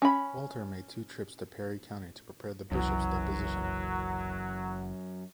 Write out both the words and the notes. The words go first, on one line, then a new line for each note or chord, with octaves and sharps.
Walther made two trips to Perry County to prepare the Bishop's deposition.
C#4 B5
F#1 C2 F#2 E3 F#3